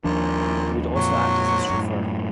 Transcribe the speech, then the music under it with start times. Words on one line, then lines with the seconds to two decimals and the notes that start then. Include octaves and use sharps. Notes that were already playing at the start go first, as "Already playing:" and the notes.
He would also act as his chauffeur.
0.04 D#2 A#2 F3 D4
0.96 F2 A#2 F3 F#3
1.70 F#2 A2